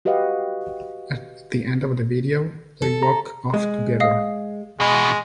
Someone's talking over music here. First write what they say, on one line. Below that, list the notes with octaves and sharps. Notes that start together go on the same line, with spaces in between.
At the end of the video they walk off together.
F#4 G4 B4 D#5 F5 F#5
A4
A#5
G#3
D#5 F5 D#6
E2 B2 G#3